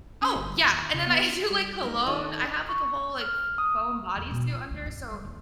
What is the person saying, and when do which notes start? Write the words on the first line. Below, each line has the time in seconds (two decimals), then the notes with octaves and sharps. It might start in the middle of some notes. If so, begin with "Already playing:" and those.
Oh, yeah, and then I do like cologne I have like a whole, like, f foam body suit under, so
0.22 C#4
0.36 G1
0.64 D#2
0.94 C#3
1.07 B3
1.50 G3
1.83 G#3 A#3 D#4 A#4 B4
2.06 D#3 D#4 F4 A4 D#5
2.69 C#6
3.21 F6
3.58 D#6
4.16 E2
4.31 B2
4.52 F4
4.70 D2
4.86 G2
5.11 G3
5.25 D#2